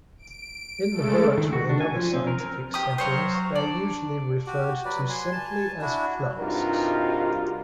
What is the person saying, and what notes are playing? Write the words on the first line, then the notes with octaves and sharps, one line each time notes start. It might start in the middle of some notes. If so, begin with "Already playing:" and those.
In laboratory and other scientific settings, they are usually referred to simply as flasks.
D7
C#3 G#3 A3 A4
D#3
F#4
D4
G#5
F3
C4
A#4
A#4
G4 D#6
F#3 C5 C#5 F5
D4 D5
F#4 G4
F#3 B4 D5
G#5 C6
G#5 A5
D4 E4 F#4
G2 C3 D#4 F4 F#4 A#4